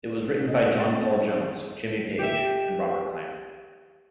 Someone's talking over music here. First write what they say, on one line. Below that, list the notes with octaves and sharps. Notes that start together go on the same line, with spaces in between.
It was written by John Paul Jones, Jimmy Page and Robert Plant.
D#5
D#5
A6
C4
G4 E5